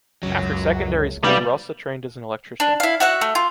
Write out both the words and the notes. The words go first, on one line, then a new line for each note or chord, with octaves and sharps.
After secondary school Rossa trained as an electrician.
C#2 F#2 F#3
C3 G3 A3 B3 D#4 F#4 E5 F5
D4
E4 F5
F#4 E5 F#5
A3
F4